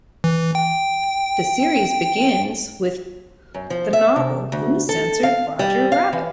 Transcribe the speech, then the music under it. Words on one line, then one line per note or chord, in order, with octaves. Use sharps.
The series begins with the novel Who Censored Roger Rabbit?
E3
G5
F#2
F3
E5
C3
D2
A4
F5
G3
F5
E3